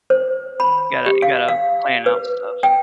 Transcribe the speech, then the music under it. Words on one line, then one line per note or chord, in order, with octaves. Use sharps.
Gotta you gotta plan out stuff.
C5
B5
G4
F5
F5
B4
G5